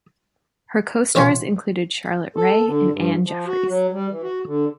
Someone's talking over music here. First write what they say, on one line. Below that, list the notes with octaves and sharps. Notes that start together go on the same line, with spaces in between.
Her co-stars included Charlotte Rae and Anne Jeffreys.
A1 F4 C#5 G5 C6
A4
D3
G2
F3
F#4
F#3
G3
E3
F#4
D3